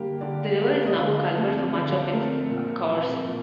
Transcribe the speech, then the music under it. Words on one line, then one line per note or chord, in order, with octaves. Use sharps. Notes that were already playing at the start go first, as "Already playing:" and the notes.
The river is now a culvert for much of its cours.
Already playing: D3 G3 A#3 G4
D3 D5
G3 A#3
D#5
D3 F5
F3 A3 C4
D3 D5
F3 A3 C4 A#4
A#2
F3 C4
A#2